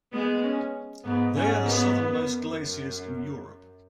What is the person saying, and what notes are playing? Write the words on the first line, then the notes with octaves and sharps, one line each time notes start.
They are the southernmost glaciers in Europe.
G#3 B3
C#4
G#2 B3
G#2 C#4
B3
F#2